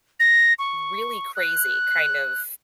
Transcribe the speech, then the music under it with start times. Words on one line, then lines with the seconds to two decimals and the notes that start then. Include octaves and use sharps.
really crazy kind of,
0.20 A#6
0.59 C#6
1.35 F#6